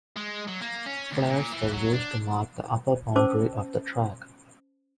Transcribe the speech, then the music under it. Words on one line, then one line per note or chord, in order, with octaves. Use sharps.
Flares were used to mark the upper boundary of the track.
G#3
F#3
A#3
C#4
D2
A#2
E3
F#3
D4
C#4 C5 A5 D6 E6